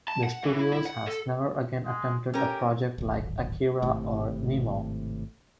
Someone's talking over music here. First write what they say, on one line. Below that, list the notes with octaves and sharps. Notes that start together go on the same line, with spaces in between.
The studios has never again attempted a project like "Akira" or "Nemo".
A5
F#5
E3
E4
E4
F#5
A4
G#3
C#4 G4 A#4
D1 G#1
G#1 A2 C3